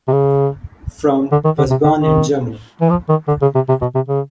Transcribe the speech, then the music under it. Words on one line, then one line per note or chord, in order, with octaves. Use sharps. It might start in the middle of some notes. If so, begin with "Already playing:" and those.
Fromme was born in Germany.
C3
C#3
D3
D#3
D3
C3
D3
D#3
E3
F3
D#3
D3
C#3
C3
C3
B2
C3
C#3